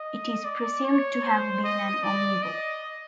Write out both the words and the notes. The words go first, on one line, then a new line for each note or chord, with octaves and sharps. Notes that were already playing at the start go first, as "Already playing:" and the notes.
It is presumed to have been an omnivore.
Already playing: D#5
D5
C#5
C5
D#5
D5
D#5